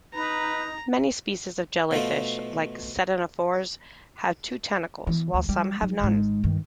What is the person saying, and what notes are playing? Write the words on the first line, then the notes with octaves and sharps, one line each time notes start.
Many species of the jellyfish-like ctenophores have two tentacles, while some have none.
D#4 B4 A#5
B2 F3 A3 F4
E3 B3
D2
G3
F#3 D#4
G#1 G#2
G2 D#3